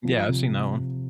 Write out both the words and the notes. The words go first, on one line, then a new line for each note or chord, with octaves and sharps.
Yeah, I've seen that one.
F3
C3